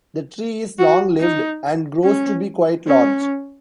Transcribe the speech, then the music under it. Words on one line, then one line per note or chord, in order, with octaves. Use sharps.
The tree is long lived and grows to be quite large.
F#4
D#4
C#4
C#4